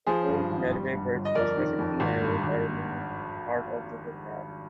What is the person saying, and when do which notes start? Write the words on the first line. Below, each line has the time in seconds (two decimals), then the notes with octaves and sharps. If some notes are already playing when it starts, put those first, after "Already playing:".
The old Medway Bridge was physically narrowed by removing part of the footpath.
0.07 F3 G#4 C5
0.28 G2
0.50 G#1
0.71 G3
0.93 G2
1.14 G1
1.25 D#5
1.35 F2 A#4 D5
1.57 D#3
1.79 F2
2.00 G#1
2.22 G2
2.43 G#1